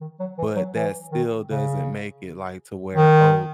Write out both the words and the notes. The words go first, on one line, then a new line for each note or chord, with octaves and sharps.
but that still doesn't make it, like, to where, oh,
D#3
F#3
E3
F#3
E3
D#3
C#3
D#3